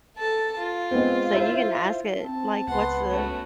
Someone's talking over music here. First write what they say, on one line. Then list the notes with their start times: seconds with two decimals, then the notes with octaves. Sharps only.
So you can ask it, like, "What's the"
0.16 A4 A5
0.58 F4
0.91 G#3 B3 C4
1.34 E4 C5 E5
2.24 C4 A5
2.68 C#2 B3 F#5 C6
3.10 A3 C#4 F#4